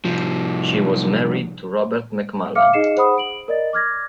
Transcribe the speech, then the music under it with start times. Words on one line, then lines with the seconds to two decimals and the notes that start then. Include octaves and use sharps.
She was married to Robert McMullan.
0.05 C2 F3
2.55 E5 F5 D6 F6 C#7
2.73 D#4 G#4 D#5 C7 C#7 E7
2.96 G#4 C5 F#5 B5 D#6
3.18 D7 F#7
3.48 A#4 D5 D#5 A6
3.73 D6 F6 G#6 A#6